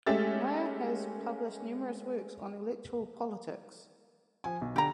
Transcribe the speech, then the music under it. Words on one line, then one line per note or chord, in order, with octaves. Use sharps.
Mayer has published numerous works on electoral politics.
G#3 A3 C#4 G4 E5 A6
F3 G#5
B1
D3 G4 A#5